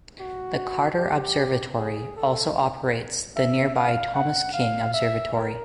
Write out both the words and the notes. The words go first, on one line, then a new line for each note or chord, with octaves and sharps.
The Carter Observatory also operates the nearby Thomas King Observatory.
F#4
G4
G#4
A4
E5
F5
F#5
F5
E5
A#4